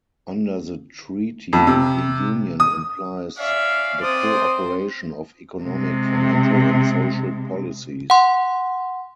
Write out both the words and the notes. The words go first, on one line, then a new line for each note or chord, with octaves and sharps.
Under the Treaty the Union implies the co-operation of economic, financial and social policies.
F2
C3
D#6
C#4 D5 E5 F5
C4 D4 C5 D5 D#6
C3 G#3
F#5 C6